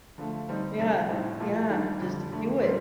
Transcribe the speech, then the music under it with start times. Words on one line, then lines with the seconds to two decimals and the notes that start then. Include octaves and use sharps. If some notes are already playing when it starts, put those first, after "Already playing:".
Yeah. Yeah, just do it.
0.18 D3 F3 A3
0.48 D3 G3 C4 D#4
0.79 C3 G3 D4
1.09 A2 G3 C4 D#4
1.40 A#2 F3 A3
1.70 D#3 G3 D4
2.00 F2 D3 G3
2.31 F2 D3 A3
2.61 A#2 G3 C4